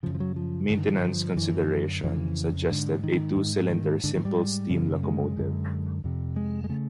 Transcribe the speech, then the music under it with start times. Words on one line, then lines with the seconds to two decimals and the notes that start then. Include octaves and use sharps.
Maintenance considerations suggested a two-cylinder simple steam locomotive.
0.03 C#3 F3
0.06 F#2
0.15 F3
0.20 F#3
0.36 F3
0.70 G2 D3 D#3
0.87 E3
1.04 F3
1.36 F#2 D3 E3
2.03 F2 C#3 E3
2.70 G#2 D3
3.04 D#3
3.36 G#2
3.70 D#3
4.04 G#2 D3
4.15 D#3
4.25 G3
4.70 F#2 C#3
5.03 G#3
5.37 F#2 D3
6.04 F2 C3
6.36 G#3
6.64 G#3
6.69 C#3 A3